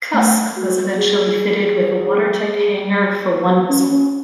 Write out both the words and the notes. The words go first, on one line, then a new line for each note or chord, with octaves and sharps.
"Cusk" was eventually fitted with a watertight hangar for one missile.
A3
F#4
F#4
G#4
F#4
C#4
C#4